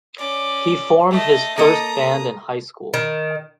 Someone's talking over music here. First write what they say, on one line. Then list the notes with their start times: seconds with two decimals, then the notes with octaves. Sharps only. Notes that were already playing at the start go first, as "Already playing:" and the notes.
He formed his first band in high school.
0.18 C#4 D5
1.11 A3 D#5
1.58 A#3 A4 D#5 A#5 D#6
2.94 D#3